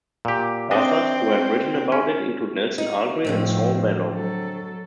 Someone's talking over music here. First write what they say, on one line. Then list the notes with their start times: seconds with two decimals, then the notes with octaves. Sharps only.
Authors who have written about it include Nelson Algren and Saul Bellow.
0.25 A#2 G4
0.71 C4 D4 D#5
1.92 C#4
2.78 D#4
3.25 A2 D3 F3 G#3 C4
4.13 F#3 A4